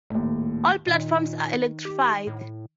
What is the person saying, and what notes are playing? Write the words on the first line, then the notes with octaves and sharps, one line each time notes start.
All platforms are electrified.
D#1 D#2 A2
A#2 D#3
G4
A2